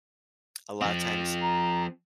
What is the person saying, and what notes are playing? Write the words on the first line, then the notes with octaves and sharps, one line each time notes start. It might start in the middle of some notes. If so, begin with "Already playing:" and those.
a lotta times,
F3 C4
A#5